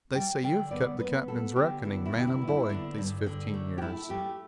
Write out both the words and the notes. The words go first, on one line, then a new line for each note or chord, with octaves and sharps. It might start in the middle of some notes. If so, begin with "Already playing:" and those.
"They say you have kept the captain's reckoning, man and boy, these fifteen years."
G3 G5
D3 G5
B3 D5
B3 B4
B3 A4
D3 G4
B3 E4
E4
D3
G4
E4
B3
E4
D3 D4
G2
D3
A3
G4
A3 E4
A3 G4